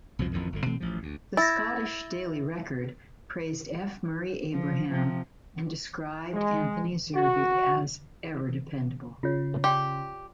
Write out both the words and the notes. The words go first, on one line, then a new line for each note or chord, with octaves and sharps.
The Scottish "Daily Record" praised F. Murray Abraham and described Anthony Zerbe as "ever-dependable".
C2 F2 B2 F3
A1 F2 A2 D#3
G1 F2 D3
B2 E3 A3 C4
A1 F3
D2
E4 A6 A#6
F3
C3 F3
G#3
F#4
C#3 F4 C#5
G4 D5 G5 C6